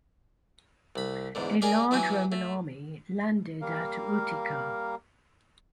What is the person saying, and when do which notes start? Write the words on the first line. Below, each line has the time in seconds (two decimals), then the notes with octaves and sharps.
A large Roman army landed at Utica.
0.96 C2 B5
1.35 E2 G#2 D3
1.62 G4 G#4 A#4 D5 D#5 G#5
1.91 E3 F#3 C#4 G4 G#5
2.32 A3
3.61 G3 A#3 A#4 F5